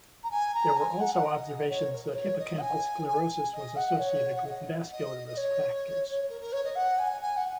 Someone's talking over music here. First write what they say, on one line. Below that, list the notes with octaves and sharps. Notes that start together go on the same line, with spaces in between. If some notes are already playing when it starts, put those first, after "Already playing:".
There were also observations that hippocampal sclerosis was associated with vascular risk factors.
A#5
G#5
A#5
G#5
F#5
F#5
D#5
C#5
A#4
A#4
C#5
D#5
G#5
G#5
D#5
F#5
C#5
F#5
D#5
D#5
D#5
C#5
A#4
A#4
C#5
D#5
F#5
G#5
G#5
F#5